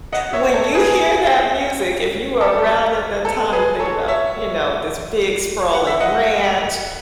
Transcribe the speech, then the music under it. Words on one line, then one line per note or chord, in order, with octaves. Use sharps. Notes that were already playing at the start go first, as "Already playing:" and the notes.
When you hear that music, if you were around at that time, you think about, you know, this big sprawling ranch,
D#5 F#5
C#5 E5
A4 C#5
G#4 B4
A4
A4
G#4 B4
A4 C#5
C#5 E5
F#5
E5
D#5 F#5